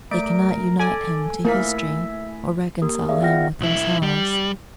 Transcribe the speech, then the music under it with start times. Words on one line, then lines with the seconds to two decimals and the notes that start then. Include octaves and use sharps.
They cannot unite him to history, or reconcile him with themselves.
0.11 A3 A#4 D5 D7
0.79 A4 D5 G#5
1.45 A3 A#3 E4 E5 B6
2.82 A#3 G4 A#4 D#6
3.09 G#4 D5 E5 F5
3.21 B3 F4 F#5 G5 F6 A#6
3.61 B1 E4
4.03 G3